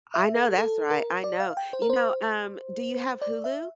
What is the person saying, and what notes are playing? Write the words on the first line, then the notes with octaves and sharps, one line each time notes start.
I know that's right, I know. You know, um, do you have Hulu?
E5
A4
A4
A#4
D5
F5
G5
C5
A#4
C5
D5
E5